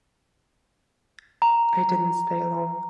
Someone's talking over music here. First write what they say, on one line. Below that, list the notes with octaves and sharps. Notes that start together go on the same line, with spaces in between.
I didn't stay long.
A#5